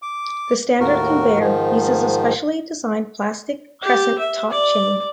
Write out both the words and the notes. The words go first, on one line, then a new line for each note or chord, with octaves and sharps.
The standard conveyor uses a specially designed plastic crescent top chain.
D6
D#2 A2 F#4 A#4
G#2 D#3 F3
G4
E5
D5